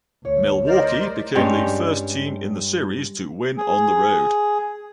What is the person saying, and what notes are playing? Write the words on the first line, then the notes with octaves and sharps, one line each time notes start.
Milwaukee became the first team in the series to win on the road.
D2 C#5
A#4 C5 D5 D#5
G2 G3 G#3 C#4
G#4